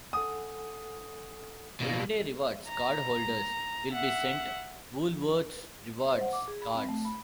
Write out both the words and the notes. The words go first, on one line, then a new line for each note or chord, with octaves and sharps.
Everyday Rewards cardholders will be sent 'Woolworths Rewards' cards.
A4 F#5 G#5 D#6
B2 A#3
A#5
E5 F#5
C5
F#5
D6
G#4
B5
C4
A3
B5